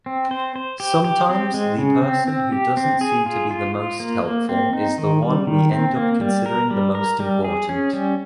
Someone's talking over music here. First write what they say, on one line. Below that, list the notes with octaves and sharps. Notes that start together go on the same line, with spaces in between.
Sometimes the person who doesn't seem to be the most helpful is the one we end up considering the most important.
C4
C5
C5
G4
G4
C4
G#3
C#3
C4
C4
G4
C4
G#4
F4
F4
F4
A#3
A#3
C4
D#4
D#3
G3
D#3
C4
A#3
G3
A#4
G3
A#4
G3
G#4
C#4
G3